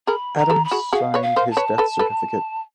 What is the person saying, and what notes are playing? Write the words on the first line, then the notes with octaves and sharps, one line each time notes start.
Adams signed his death certificate.
G#4 A#4 B5
A#5
G4 A4
B5
F#4 G#4
F#4 G#4 F5
B4 C#5
F5
A#4 C5
A5
B4 C#5
A4 B4
A4 B4